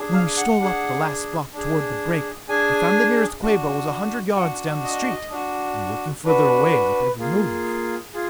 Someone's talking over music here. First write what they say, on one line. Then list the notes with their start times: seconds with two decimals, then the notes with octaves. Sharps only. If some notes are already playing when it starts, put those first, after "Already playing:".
When we stole up the last block toward the break we found the nearest Quabo was a hundred yards down the street--and working further away with every move.
Already playing: D4 G#4
0.13 F5
0.37 F#5
0.60 D4 G#4
1.54 D4 G#4
2.48 D4 G#4 G#5
3.42 D4 F#4
4.36 D4 F#4 F#5
4.84 D#5
5.30 D4 F#4
6.25 D4 F#4 B4
7.19 A#3 F4 G#4
8.14 F4 G#4